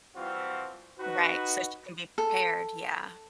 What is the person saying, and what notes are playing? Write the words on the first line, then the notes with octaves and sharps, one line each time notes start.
Right, so she can be prepared. Yeah.
E3 F3 G3 C4 F4 F#4
D#4 F#4 B4
A4